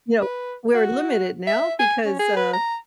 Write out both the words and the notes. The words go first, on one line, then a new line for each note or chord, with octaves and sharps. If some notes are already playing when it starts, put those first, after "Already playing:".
you know, we're limited now because, uh,
B4
F#4
E5
G#5
C#4
G#4
B4
A#5